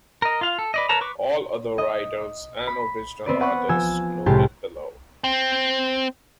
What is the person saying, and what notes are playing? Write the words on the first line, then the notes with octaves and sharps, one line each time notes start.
All other writers and original artists noted below.
A#4 D#5
F4 F5
A4
B4 D5 D#5
A#4 B4 C#5 A5 A#5
B4 C#6 D6
D#5
B5
B3 C4 B4 D5
B4 F#5 C#6 F#6
F3 G#5 E6
C2 A2 G#3 G4 A5 C6
C4